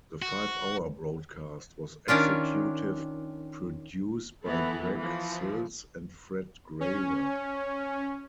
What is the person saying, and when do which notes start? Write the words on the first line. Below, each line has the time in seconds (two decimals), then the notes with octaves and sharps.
The five-hour broadcast was executive produced by Greg Sills and Fred Graver.
0.22 F#4
2.08 D#3 C#4 D4 F4
4.44 E3 B3 A4
4.97 E3 F3
6.80 C#4